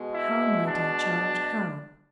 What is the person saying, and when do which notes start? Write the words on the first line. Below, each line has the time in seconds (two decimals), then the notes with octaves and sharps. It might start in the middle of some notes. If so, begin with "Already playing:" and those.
"How, my dear child, how?"
Already playing: B2 G#3
0.14 E4
0.66 D4